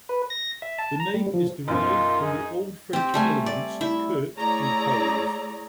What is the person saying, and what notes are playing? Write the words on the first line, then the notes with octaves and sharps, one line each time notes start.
The name is derived from the Old French elements "curt" and "hose".
B4
A#6
E5
A5
A#5
G3
F3
B1 F#2 D#4 F4
G#4
C4 G4
G3 A3 G#5
D5
E4
A3 E4 G#4 C#5 D5 A#5